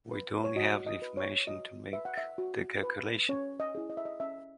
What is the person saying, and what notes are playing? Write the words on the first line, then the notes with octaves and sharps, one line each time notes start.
We don't have the information to make the calculation.
B4
C#5
F#4 D#5
D#5
B4
C#5
F#4 D#5
B4 E5
F#5
E5
F#4
B4
C#4 C#5
D#5
E4 G#4
D#5
E5
D#5
C#4 E5